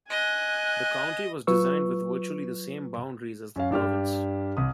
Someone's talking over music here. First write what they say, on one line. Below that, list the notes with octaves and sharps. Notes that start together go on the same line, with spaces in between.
The county was designed with virtually the same boundaries as the province.
D#5 G#5 F#6
F#3 F4 B4 C#6 E6
F#2 C#4 F5
G2 D4 G4 F6
C2 D#6